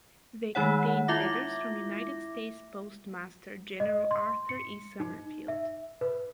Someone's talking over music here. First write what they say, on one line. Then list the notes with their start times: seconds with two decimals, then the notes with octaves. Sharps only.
They contained letters from United States Postmaster General Arthur E. Summerfield.
0.55 D#3 G#3 D#4 C#5 F#5
1.08 E4 F4 E5 D6 A#6
3.80 D#5
4.11 C6
4.49 C#7
5.00 D#4
5.48 E5
6.01 B4